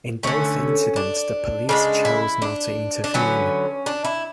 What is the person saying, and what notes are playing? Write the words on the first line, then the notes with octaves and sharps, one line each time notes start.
In both incidents the police chose not to intervene.
D3 A3 C#4
D4
C#3 E3 G#3 D4
E4
D4
D4
D3 F#3 B3 C#4
D4
E4